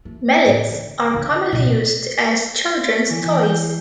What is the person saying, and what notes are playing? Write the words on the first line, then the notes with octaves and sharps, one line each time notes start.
Mallets are commonly used as children's toys.
A3
A2
D3
D3 D4
D1 B2
E3
E3
G6